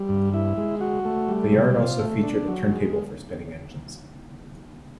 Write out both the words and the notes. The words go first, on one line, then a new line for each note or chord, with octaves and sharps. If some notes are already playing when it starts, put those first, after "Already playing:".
The yard also featured a turntable for spinning engines.
Already playing: G3
G2
E4
G#3
F#4
A3
G3
C3
F4
A3
D4
F#3
G#3